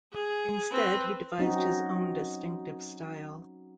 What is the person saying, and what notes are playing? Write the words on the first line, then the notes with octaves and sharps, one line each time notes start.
Instead he devised his own distinctive style.
G#4
C4 B4
F#3 C4 C#4 D#4 F#4